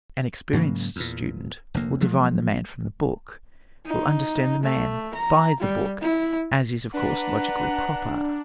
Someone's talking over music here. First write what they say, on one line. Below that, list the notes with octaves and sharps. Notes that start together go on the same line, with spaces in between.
An experienced student will divine the man from the book, will understand the man by the book, as is, of course, logically proper.
G#2 C#3 F#3 A#3
E2 A#2
F1 D2 A#3
F3 F#3 G#3 A3
D#4
A3
A#5
G3
E4
D4 B4 F#5 A#5